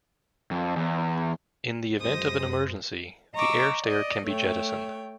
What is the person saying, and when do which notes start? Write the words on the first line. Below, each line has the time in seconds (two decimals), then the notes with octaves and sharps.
In the event of an emergency, the air stair can be jettisoned.
0.51 F2
0.76 E2
1.99 F#2 G#3 C5 D#6 A#6
3.35 D#5 A#5 C#6 D6 E6
3.81 D5 D#5
4.24 A3 C#5 G5